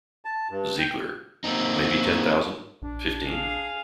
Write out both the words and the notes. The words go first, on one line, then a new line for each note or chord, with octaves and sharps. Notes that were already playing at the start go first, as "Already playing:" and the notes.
Ziegler: Maybe ten thousand - fifteen?
A5
G2
G5
A#3 C4 D#4
A#1 D4
G#4 F5